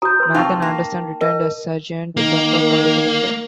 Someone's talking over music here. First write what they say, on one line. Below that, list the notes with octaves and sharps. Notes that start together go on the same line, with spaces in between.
Nathan Anderson returned as Sergeant Kemper for the second time.
F#4 A#5 D#6 G6
B4 C6
C3 D#4 F4 F5 G5 A5 C#6
A#3
A#4 D#5
D#3 A#3